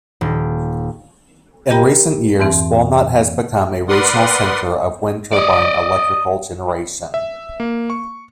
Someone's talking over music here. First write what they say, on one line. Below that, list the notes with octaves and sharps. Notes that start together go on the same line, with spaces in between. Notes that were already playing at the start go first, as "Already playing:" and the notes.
In recent years Walnut has become a regional center of wind turbine electrical generation.
D#1
G4 A#4 D#5 G5 A#5 B5
F2 G#2 E3 C4
A#4 B4 D5 F#5 C6 D#6
D5 D#5
E5
A#3
C#6